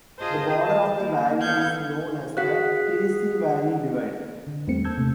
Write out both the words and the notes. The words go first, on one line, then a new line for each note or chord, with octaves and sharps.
The border of the valley is known as the Tennessee Valley Divide.
F4 G#4 C5 D#5 A5
A5
A#3
B3 A4 F5 G6 G#6
F#4 G#4 F5 F#5 F#6 B6
D3
E2 G3 A3 A#3 C4 C#7
A5 E6 G6 G#6
C3 A3